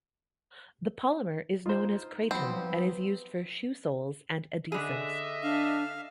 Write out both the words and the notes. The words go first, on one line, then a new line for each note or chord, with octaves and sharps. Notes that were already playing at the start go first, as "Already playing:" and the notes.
The polymer is known as Kraton and is used for shoe soles and adhesives.
D#4 F4 C5
F3 F#3 B3 C4 B5
D3 G#4 D#5 E5
D4 F5